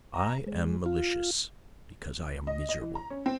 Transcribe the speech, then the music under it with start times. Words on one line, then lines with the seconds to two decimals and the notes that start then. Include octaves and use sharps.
I am malicious because I am miserable.
0.14 A#5
0.47 G#3
0.86 F4
2.47 D#5
2.69 D#5
2.81 E3
2.95 A#5
3.10 C#4
3.26 C4